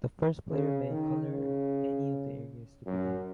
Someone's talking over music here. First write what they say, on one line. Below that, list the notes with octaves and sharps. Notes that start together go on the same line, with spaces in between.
The first player may colour any of the areas to begin.
C#3
D#3
C#3
F#2